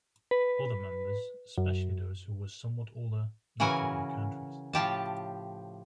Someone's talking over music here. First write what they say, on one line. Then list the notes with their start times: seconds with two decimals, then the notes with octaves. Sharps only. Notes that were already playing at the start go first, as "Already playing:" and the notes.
Other members, especially those who were somewhat older, left for other countries.
0.31 B4
1.58 F#2
3.60 C#3 E3 F#4 A#4 G#5
4.73 A2 F3 G4 A5